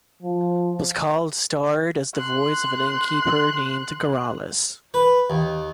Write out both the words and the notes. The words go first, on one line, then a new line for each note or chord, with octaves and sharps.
Pasquale starred as the voice of an Innkeeper named Garralus.
F3
C6 F#6
B4
D#2